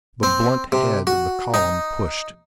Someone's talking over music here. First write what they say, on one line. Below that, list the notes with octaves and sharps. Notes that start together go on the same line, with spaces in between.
The blunt head of the column pushed.
C4
C3
F#4
D#4